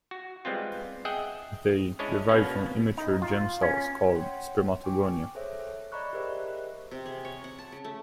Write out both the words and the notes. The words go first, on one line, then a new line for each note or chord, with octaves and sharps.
They derive from immature germ cells called spermatogonia.
F#4
G3 G#3 B3 C4 F4
G#4 D#5 E5 F#5 G5
G#3 C#4 D4 E4 C#5 D#5
B2 A#3 B3 C#4
D#4
F4
C#4
C#5 F#5 G5 C6
G5 G#5 C#6 D6
G#4 A4 C5 C#5 E5
D5 D#5 A#5 B5 C#6 F#6
G4 G#4 A#4 C5 D#5 E5
C3
G#4
C#5
F#5
A5
C#3
A3